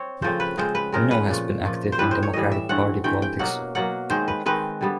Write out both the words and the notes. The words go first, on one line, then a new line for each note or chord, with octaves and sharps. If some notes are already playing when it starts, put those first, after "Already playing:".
Minow has been active in Democratic party politics.
Already playing: C4 C#5
C#3 F3 A3 C4 C5
B4
C#3 F3 G#3 C4 C5
B4
C#3 F3 G#3 C4 A#4
B4
A#2 F3 A3
A#2 F3 A3
C5
A2 E3 G3 B4
C5
C#5
A2 E3 G3 D#5
E5
G2 E3 A3 C4 F#5
G2 E3 A3 C4 G5
G5
B2 F#3 A#3 F#5
B2 F#3 A#3 F#5
D#3 G#3 C4 C5
B4
D#3 G#3 C4 B4
D3 G3 B3